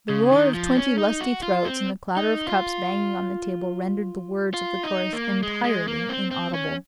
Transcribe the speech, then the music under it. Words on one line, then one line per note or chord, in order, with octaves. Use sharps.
The roar of twenty lusty throats and the clatter of cups banging on the table rendered the words of the chorus entirely inaudible.
C#3
D#3
F3
C#4
D#4
F#4
F4
C4
D#4
F4
F4
D#4
A#3
G#3
G#3
A#3
C4
C4
C#4